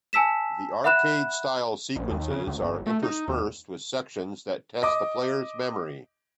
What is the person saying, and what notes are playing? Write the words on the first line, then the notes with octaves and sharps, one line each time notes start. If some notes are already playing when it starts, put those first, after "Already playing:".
The arcade-style sequences are interspersed with sections that test the player's memory.
G#5 A5 E6 B6 E7
E5 F#5 B5 F#6 E7
A#1
D#2
C#3
D2
G1
A3
D#4
D#2
D#5 D6